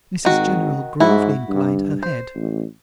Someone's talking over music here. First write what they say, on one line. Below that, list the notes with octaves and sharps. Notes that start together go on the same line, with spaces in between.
Mrs General gravely inclined her head.
G#1 D#3 F#4
G#2 E4 F#4
G2
C5
A1